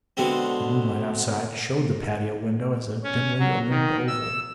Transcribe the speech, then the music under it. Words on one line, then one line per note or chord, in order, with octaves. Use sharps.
The moonlight outside showed the patio window as a dimly illumined oval.
B2 D3 G#3 C4
C#4
F#3
D#3
E6